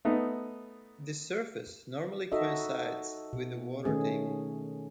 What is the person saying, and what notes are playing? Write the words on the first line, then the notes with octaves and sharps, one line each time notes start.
This surface normally coincides with the water table.
A3 B3 D#4
D#4 F#4 A4 D#5 E5
B2
D#3 A3 C#4 G#4